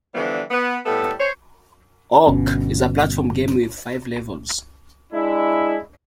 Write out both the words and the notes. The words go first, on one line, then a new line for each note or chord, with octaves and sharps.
"Ork" is a platform game with five levels.
D3 E3 F3 G3 B3 D4
B3
A2 G3 B3 A4
C5 C#5
G1 B2 C#4
G#3 D4 E4